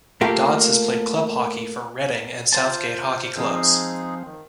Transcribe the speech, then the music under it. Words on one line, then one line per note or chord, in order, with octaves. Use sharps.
Dodds has played club hockey for Reading and Southgate hockey clubs.
A3 A#3 F4 G4 A#4
F4 C5 A5
F3 G#3 C4 D#4 G#4
D#3